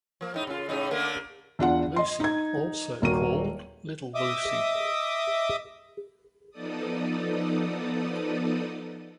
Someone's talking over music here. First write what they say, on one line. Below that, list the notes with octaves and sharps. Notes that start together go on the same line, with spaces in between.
Lucy also called Little Lucy.
F3 A#3
A2 D#4
C#3 F4
A2 C#3 D#4
D3 A3 A#3
E2 D4 F4 F#5
D#5 C6
D#4 G#6
D#1 A#3 F#4 D#7
D#5 E5 D6 D#6
F3 B3 D#4 A4 D5 D#6